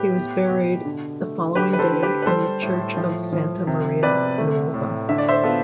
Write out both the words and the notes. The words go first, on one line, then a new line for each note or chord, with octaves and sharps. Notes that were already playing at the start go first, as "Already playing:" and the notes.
He was buried the following day in the church of Santa Maria Nuova.
Already playing: A2 G4 B4
B3
B2
D3
A3
D3 G4 B4
B4
A4 C5
D3
G4 B4
B4
G3 A4 C5
A2
F3
F3
C3
C3 B4 D5
A3
A2
D3 E5
D5
C5 E5
B3 F4 A4